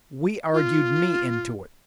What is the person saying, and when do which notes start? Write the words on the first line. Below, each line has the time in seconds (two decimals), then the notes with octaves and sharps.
We argued me into it.
0.53 F4